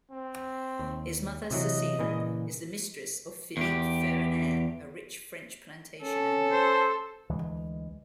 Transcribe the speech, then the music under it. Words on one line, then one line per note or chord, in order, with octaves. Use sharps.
His mother, Cecile, is the mistress of Philippe Ferronaire, a rich French plantation owner.
C4
D#2
C3 E3 F#3 D#5
A#2 C#3 E3
E2 G4
C#4 A4
C5
D2 E3 G#3